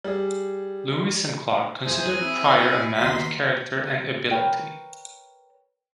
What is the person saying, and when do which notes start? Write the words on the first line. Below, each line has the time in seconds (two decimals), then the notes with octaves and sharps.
Lewis and Clark considered Pryor a man of character and ability.
0.04 G3 G#4
1.85 F2 G#2 E3 G#4 C5
2.21 C4 E4 E6
2.96 D#2 B3 F#4 A#4 C6 B6
4.31 A#4 B4 C#5 G5